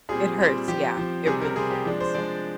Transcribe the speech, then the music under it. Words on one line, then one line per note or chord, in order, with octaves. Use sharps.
It hurts, yeah, it really hurts.
A#2 G3 C4 G#4
A#2 G3 C4
F3 C4 G4
F3 C4
C3 G3 C4 G#4
A#4
C3 G3 C4 G#4
G4
F3 G#3 D4
C5
F3 G#3 D4 D5